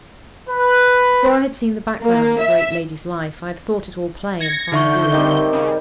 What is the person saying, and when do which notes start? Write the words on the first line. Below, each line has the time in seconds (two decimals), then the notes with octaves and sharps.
Before I had seen the background of a great lady's life, I had thought it all play and fine doings.
0.49 B4
2.03 A#3
2.40 E5
4.40 G#6 A#6 C#7
4.72 D3 D#4 E5 C#6 G6
5.12 D#3 G3 C4
5.53 C#3